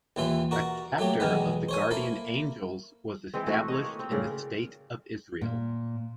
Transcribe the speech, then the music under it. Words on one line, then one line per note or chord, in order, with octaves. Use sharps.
A chapter of the Guardian Angels was established in the State of Israel.
D#2 E3 F4 E5
F#4 A#4 D5
F#3 A3 A#3 G4
B1 E2 D#3 G#3 B3
C5 C#5 G#5
A#3 E4 A4 F5
E3 G#3 C4
E3 A3 E4 F#4
C#5 D#5
A#3
C4
A2 C#3 A#4 D5
A#2